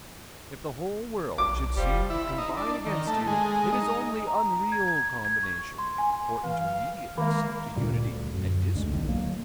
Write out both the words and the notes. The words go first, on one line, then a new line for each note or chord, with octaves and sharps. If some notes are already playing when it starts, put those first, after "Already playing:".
If the whole world should seem to combine against you, it is only unreal combination, or intermediateness to unity and disunity.
B1 D6
F1 F3 G3
E4
D#4
D4
D#3
A3
G#3
D#4
A#5
G#6
G#6
G#6
C#6
C6
G#5
E3 F5
D#3 G#3 A#3
D2 A#2 G3
D2
F#2
D2 D3 G#3
B1 D#3
F#3 A#3